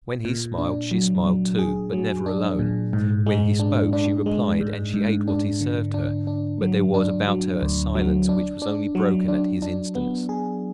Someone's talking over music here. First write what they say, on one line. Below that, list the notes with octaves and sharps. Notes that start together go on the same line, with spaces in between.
When he smiled, she smiled too, but never alone; when he spoke, she replied and she ate what he served her; but there was about her a silence which was only broken at his instance.
A#2
D4
F#3
F#3
G#4
F#3
D4
A#2
G#2
G#3
D4
D4
G#3
G#2
G#2
D4
D3
D4
D4
F#3
D4
F#3
D2
F#3
D4
D4
F#3
D4
D4
B3
G#4